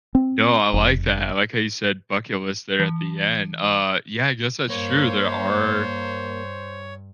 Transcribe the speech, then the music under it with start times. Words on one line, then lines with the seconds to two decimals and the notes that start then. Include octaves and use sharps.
No, I like that, I like how you said "bucket list" there at the end. Uh, yeah, I guess that's true, there are
0.15 C4
0.74 F1
2.80 E3
4.70 G2 A#3 C5 C#5